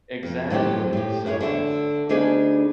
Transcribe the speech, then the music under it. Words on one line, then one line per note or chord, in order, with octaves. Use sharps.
exactly, so,
F2
A2 F#3 C4 G4
A2 G4
E4 G#4 C5 C#5
D3 F#4 E5
D2 B3 D4 D#4 G#4 G#5